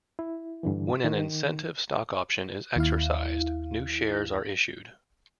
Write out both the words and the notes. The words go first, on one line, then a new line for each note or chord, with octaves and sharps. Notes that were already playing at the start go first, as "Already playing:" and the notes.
When an incentive stock option is exercised, new shares are issued.
E4
G2 D3 E3
D#3
D#2 E4 F5